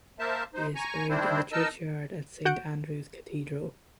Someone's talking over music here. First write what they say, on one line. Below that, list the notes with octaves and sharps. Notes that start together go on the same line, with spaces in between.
He is buried in the churchyard at St Andrews Cathedral.
A#3 A#4 C5 E5 A5
D#4 C5
G#5 A#5 C#6
D#3 G3 C4 D4 E4 C5
D#4 A#4 D#5 A5 E6
F#4 F#5 G6 D7